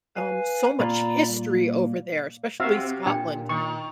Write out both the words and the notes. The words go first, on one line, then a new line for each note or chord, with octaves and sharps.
um, so much history over there, especially Scotland
B4 F5 G#5
A#2 F4 D5 A#5 B5
G3 A#3
C3 C4 F#4 E5 F5
A#2 D4 G5
D#3 C#6